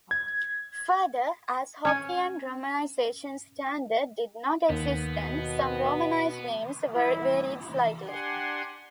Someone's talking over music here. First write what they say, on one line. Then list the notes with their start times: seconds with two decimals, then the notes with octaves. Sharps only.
Further, as Hokkien romanization standard did not exist then, some romanized names varied slightly.
0.11 G#6
1.85 C#4 C#5 G#5
4.70 D#2 B3
5.22 B2
6.95 E4
8.07 D4 G4 F#5 G#5 C6